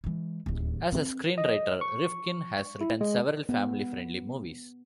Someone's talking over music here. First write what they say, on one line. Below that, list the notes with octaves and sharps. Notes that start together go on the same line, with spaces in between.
As a screenwriter, Rifkin has written several family-friendly movies.
E3 G#3
D1 D#2
C4
D#5
C#6
E4
G#3
B3